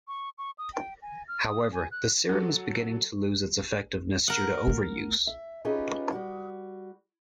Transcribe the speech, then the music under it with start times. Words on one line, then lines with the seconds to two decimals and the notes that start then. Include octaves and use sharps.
However, the serum is beginning to lose its effectiveness due to overuse.
0.08 C#6
0.38 C#6
0.58 D#6
0.73 G5
1.02 G#5
1.28 F6
1.48 D#6
1.72 G#5
1.92 F#6
2.29 F#3 A4
4.28 A#4 F#5
4.67 A3 B3
5.27 E5
5.65 C#4 D#4 F4 G4 G#4 B4
6.12 G3 F#4